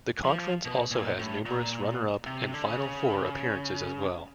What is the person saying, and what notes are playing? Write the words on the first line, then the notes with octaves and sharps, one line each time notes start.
The conference also has numerous runner-up and final four appearances as well.
F3
B2
A#2
A2
A#2
C3
D3
C#3